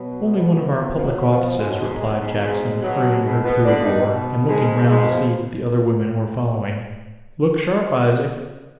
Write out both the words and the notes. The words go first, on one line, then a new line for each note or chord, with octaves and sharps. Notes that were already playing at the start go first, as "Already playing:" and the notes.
'Only one of our public offices,' replied Jackson, hurrying her through a door, and looking round to see that the other women were following. 'Look sharp, Isaac!'
Already playing: B2 F#3
B2
B2 F3
F3
F#3
B2
F3
B2 G#3
F#3
G#2 G#3
B2 G#3
F#3
G#2 G#3
G#2 B2 G#3
B2 F#3
G#2 B2 G#3
B2 B3
B2 D3 D4
F4
D#3 D#4
B2
G#2 B2 G#3
A#3
G#2 B2 G#3
F3